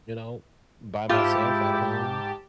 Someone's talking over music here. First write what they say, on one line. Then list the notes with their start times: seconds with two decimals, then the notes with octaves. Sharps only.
you know, by myself at home,
1.09 G#2 E4 F4 G4 A5